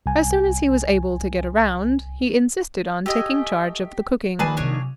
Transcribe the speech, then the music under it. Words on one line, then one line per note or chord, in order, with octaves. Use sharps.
As soon as he was able to get around he insisted on taking charge of the cooking.
C2 G#5
A3 G4 D#5 G#5
A#1 D#3 G#4 B4 G#5 A5 D#7
C3 F#3 D4 G#4 C#5